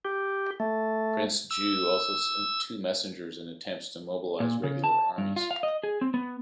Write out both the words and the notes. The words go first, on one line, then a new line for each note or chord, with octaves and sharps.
Prince Ju also sent two messengers in attempts to mobilize regular armies.
G4
A3
E6
A#2
C#3
A5
G2
F4
F5
D#5
G#4
C4
B3